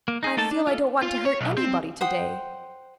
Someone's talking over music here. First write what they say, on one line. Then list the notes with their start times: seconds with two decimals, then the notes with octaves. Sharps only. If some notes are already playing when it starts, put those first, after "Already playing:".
"I feel I don't want to hurt anybody to-day."
0.08 A#3
0.23 D#4 G#4
0.37 A3 A#3 D#4 A4 A5
0.51 D4
0.67 F4 A4
1.02 F4
1.25 C#5
1.41 B1
1.57 C4
2.01 C5 F#5 G5 D#6